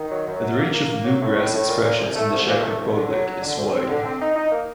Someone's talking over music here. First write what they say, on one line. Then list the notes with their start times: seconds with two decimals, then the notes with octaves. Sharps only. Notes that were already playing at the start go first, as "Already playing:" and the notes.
The range of "bluegrass" expressions in the Czech Republic is wide.
Already playing: D#3
0.10 F#3
0.26 F#2
0.42 F#3
0.58 A#3
0.73 A#3
0.89 A#3
1.05 F#3
1.20 A2
1.36 A2
1.52 A2
1.68 A#2
1.83 A#2
2.00 C2
2.15 A3
2.31 C2
2.46 A#2
2.62 A3
2.78 C2
2.94 D3
3.10 F#3
3.25 F#3
3.41 D3
3.57 D2
3.72 C4
3.89 D3
4.04 C4
4.20 D#4
4.36 D#4
4.51 A#3